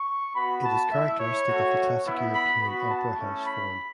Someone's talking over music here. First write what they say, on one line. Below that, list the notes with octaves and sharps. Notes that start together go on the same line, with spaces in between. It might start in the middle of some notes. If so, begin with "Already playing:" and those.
It is characteristic of the classic European opera house form.
Already playing: C#6
B3 F#4 B5
A5
A3 E4 E5
C#5
A3 F#4
B3 E4
B5
B3 F#4 B5
A5
A3 C#4 E4
B5